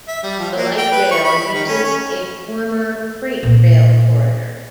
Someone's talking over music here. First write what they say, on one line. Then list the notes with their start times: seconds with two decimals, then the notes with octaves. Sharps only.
The light rail uses a former freight rail corridor.
0.08 E5
0.23 G3
0.39 F3
0.55 A#3
0.78 G5
0.92 B4
1.11 C#6
1.24 B5
1.54 D#3
1.68 C#4
1.84 C#4
3.43 A#2 B3